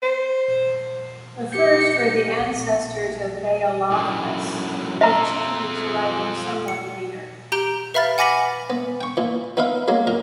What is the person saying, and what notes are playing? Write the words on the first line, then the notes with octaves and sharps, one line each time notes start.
The first were the ancestors of "Baeolophus", with chickadees arriving somewhat later.
C5
G4 C#7
A#1
F#2 A2
F4 A4 E5 A#5
C#7
G4 A#5 G6 D7 G7
B4 E5 F5 B5 F6 A6
F#5 G#5 D6 A#6 B6 F#7
B3
G5 C#6
A#2 E3
B3 D#4 B4 E5 F5
F#3 G#3 A#3
A#2 A#4 A#5